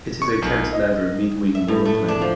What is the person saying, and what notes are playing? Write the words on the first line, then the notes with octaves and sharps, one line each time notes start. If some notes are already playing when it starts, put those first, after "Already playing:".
It is a cantilever mid-wing monoplane.
C#6
B1
D#5
E5
A2
A3
D4
F3